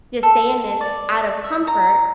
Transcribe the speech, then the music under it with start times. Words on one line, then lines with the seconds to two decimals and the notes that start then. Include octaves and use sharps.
just stay in this out of comfort,
0.23 A4
0.81 D5
1.44 E5
1.67 A#5